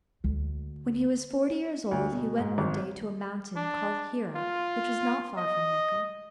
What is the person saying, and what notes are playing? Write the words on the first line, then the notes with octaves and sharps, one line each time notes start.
When he was forty years old he went one day to a mountain called Hira which was not far from Mecca.
D2
D2
B2
G#2
G#1
D4
F4
D#5